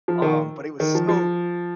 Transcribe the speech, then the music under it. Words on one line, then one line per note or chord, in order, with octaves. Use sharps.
um, but it was so
F3
D#3
D#3
F3
F3